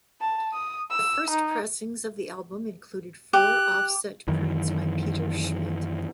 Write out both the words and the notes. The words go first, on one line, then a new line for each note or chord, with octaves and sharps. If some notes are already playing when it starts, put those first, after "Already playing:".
The first pressings of the album included four offset prints by Peter Schmidt.
A5
D#6
E6
D#4
G4 F#6
F#2 D#3 E3